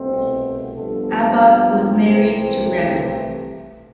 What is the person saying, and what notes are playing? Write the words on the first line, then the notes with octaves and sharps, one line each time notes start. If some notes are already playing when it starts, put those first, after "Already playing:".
Abba was married to Rev.
Already playing: C2 B2 A3 C4
G2 F3 B3 A4
C2 C3 E3 A3 C5